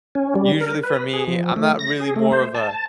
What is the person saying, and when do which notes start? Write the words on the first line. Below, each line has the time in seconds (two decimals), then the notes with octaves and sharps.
usually for me, I'm not really more of a
0.15 C#4
0.35 G3
0.61 A#4
0.83 B4
1.13 G#4
1.28 F3
1.56 A3
1.79 A#6
2.00 G#4
2.16 A3
2.32 C5
2.54 A5